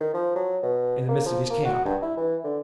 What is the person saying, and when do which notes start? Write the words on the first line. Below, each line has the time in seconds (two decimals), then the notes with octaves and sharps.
"In the midst of his camp."
0.01 D#3
0.14 F3
0.35 F#3
0.63 B2
1.08 A#3
1.26 F3
1.50 A#3
1.65 F#4
1.85 G2
2.02 E4
2.17 E3
2.44 D3